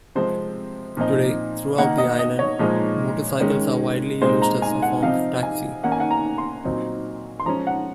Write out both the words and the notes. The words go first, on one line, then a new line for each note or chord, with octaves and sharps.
Today throughout the island, motorcycles are widely used as a form of taxi.
C3 F3 G#3 C4 C5
A#2 F3 C4 D#4
D#3 A#3 D#4 F#5
D#5
D#5
C#5
A#2 F3 G#3 D#4
D#3 G#3 C#4
A#2 G#3 C4 D#4 C5
A#5
G#5
F#5
C3 F3 C4 D#4 F5
G#5
D#3 A#3 C#4 F#5
G#5
F#5
A#5
C6
A#2 F#3 C4 D#4
C6
F3 G#3 C#4 A#5
F#5